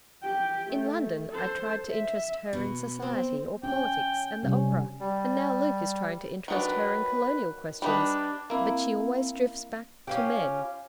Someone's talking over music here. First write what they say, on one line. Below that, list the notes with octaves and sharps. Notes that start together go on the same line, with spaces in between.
In London, I tried to interest her in Society, or Politics, and the Opera--and now Luke is trying to interest her in Colonial questions--but she always drifts back to--Men.
G4 G5
A3
A4 C5
E5
B2
C4
C#4 G5
C3 G3 C#4
G3
D#3 F#3 D4 B4
G3 D4 D#4 B4
A#3 C4 E4
C#4 F4 G4